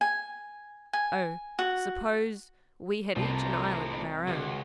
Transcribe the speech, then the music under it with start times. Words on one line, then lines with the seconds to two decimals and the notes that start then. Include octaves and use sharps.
Oh! suppose we had each an island of our own.'
0.01 G#5
0.93 G#5
1.59 F#4
3.16 C2 A2 F3 A#4 C5 A5 A#5
4.27 C#2 F#4